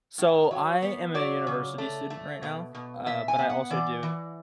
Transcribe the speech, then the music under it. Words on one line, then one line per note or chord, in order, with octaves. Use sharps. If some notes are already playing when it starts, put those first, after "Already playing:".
So, I am a university student right now, uh, but I also do
A2
F#3
B3
F#3 D5
C#3
A3
A3
B2
B2
B2 E5
G#5
B3
F#5
E3 D5
E3